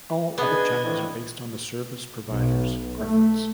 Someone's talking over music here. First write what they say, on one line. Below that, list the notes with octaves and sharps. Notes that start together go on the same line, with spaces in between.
All other channels are based on the service providers preference.
B3 D4 G#4 B4 D#5 G#6
F2 D#3 E3
B1
A3